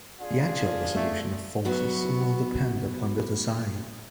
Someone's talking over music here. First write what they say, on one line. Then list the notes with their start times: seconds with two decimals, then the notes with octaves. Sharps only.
The actual resolution of forces will depend upon the design.
0.20 D4 F4 G#4
0.95 A3
1.65 D2 F#3 B3 F#4